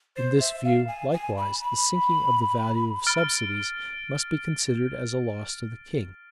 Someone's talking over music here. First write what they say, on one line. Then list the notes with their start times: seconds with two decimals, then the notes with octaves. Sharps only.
In this view, likewise, the sinking of the value of subsidies must be considered as a loss to the king.
0.16 C5 A6 C7 E7
0.40 E5
0.64 F5
0.88 G#5
1.13 G#5
1.37 B5
1.62 B5
3.07 F6 A6 D7